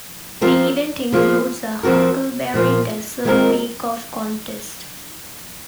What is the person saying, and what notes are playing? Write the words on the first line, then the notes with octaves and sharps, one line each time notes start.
The event includes a huckleberry dessert bake-off contest.
F3 C4 F4 A#4
F3 A#3 F4 G#4
F3 C4 F#4 A#4
A#2 F3 A#3 F4
D#3 G#3 C4 F4 A#4